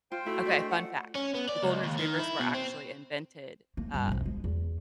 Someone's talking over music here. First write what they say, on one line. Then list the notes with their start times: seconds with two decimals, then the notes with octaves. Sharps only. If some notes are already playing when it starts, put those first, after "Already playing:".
Okay, fun fact. The golden retrievers were actually invented, um,
0.12 F4 C5 G5
0.26 A3 E4 F#4
0.46 D4 G#4 D#5
0.71 F4 F#5
1.15 C#4
1.35 B3
1.49 D5
1.62 C#2
1.83 D#2
1.98 D#3
2.19 E4
2.40 B2
2.54 C4
3.77 A#3
3.94 G2
4.08 B1 F2
4.26 G#3
4.44 E2